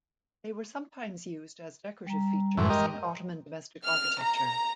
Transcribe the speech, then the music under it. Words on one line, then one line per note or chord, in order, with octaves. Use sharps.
They were sometimes used as decorative features in Ottoman domestic architecture.
G3 A#5
F#2 A2 E3 G#3 C6
G4 A#4 D#5
F6
A#5